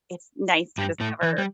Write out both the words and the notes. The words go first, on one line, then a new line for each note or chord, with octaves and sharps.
it's nice to discover
G2 G3
A2 A3
E3
G3